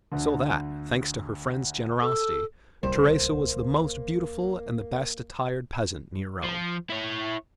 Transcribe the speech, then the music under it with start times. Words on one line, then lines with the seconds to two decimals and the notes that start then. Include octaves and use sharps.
So that, thanks to her friend's generosity, Teresa was the most beautiful and the best-attired peasant near Rome.
0.12 D2 D3
2.01 A4
2.83 D1 C2 G3 A#3 C5
6.44 F3
6.90 E4 C#5